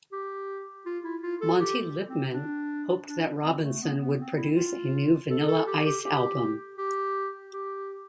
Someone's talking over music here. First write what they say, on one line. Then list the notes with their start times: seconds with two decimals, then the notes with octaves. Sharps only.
Monte Lipman hoped that Robinson would produce a new Vanilla Ice album.
0.12 G4
0.86 F4
1.04 E4
1.23 F4
1.41 A4
1.60 G4
2.09 C4
2.33 D4
3.08 D4
3.44 C4
3.64 A3
3.81 B3
4.01 B3
4.19 C4
4.37 E4
4.55 F4
5.30 A4
5.48 A4
5.67 G4
5.85 G4
6.04 G4
6.78 G4
7.53 G4